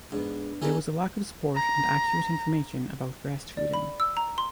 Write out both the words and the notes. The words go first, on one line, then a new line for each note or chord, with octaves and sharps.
There was a lack of support and accurate information about breastfeeding.
G#2 B3 D4
E2 D#4 A4 G#5
A#5
D5
B5
E6
A#5
C6